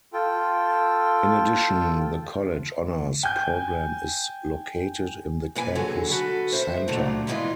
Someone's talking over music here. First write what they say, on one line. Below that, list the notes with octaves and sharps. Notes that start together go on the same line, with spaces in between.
In addition, the College Honors Program is located in the Campus Center.
F4 A4 G5
G5 G#5 G6
F#2 A#2 B4 G#5
D3 F#3 F#4 G#4 A4 C#5
F#4 A4 B4
C5 E5
A#2 D3 D#3 F#3 A3 A#3
E2 G#2 E3 G#3 F4 D5